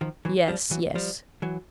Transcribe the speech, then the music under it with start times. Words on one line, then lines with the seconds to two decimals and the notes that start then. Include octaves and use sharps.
"Yes, yes."
0.01 D#3 F3
0.25 E3 F#3
0.48 F3 G3
0.71 E3 F#3
0.95 F3 G3
1.42 E3 F#3